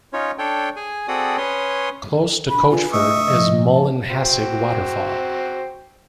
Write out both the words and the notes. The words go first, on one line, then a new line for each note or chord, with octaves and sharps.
Close to Coachford is Mullinhassig Waterfall.
C#4 D#4 F4 C#5
D4 A4 C#5 G5
G#4 G#5
C4 F#4 G#4 A4 D5 D#6
C#4 B4 C#5 C6 D#6
A4
D4 B5
F4 G#4 B4 G#5
A3 D#5 E5 C#6 D#6
G#2 C3 F3 D#5
A5
F#4 C5 G5